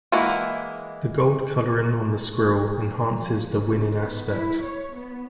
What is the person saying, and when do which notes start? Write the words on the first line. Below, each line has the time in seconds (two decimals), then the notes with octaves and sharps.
The gold colouring on the squirrel enhances the winning aspect.
0.12 E3 G#3 A#3 E4 F#4
3.16 F3
3.58 C#3
3.97 B3
4.29 E4
4.64 C#5
4.98 B3